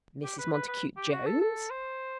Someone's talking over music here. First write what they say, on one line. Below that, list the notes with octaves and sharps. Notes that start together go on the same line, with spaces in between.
"Mrs. Montacute Jones."
G4
B4
B4
B4
G4
F#4
A4
A4
C5